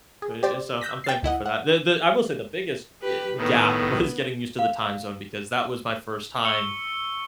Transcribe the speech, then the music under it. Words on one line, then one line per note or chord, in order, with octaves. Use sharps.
eh eh, so I'm thankful for that. The the I will say the biggest, eh, gap was getting used to the time zone because that was my first time
G#4
G4 C5 D5
E6 F#6 G6 A#6 B6
G5 A6 C7
D2 E4 D#5 F#5
F#5
G4 B4
A2 D#3 B3
F5
C#6 E6 C#7 G7